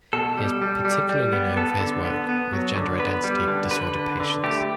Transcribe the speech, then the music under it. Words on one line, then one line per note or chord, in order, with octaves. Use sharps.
He is particularly known for his work with gender identity disorder patients.
B2 A4
G3
G3
G3
G3
B3
B3 A4
D3
B3
B3
F#3
D3
B3 B4
G3
D3
D3 B4
D3
D3
A3 G4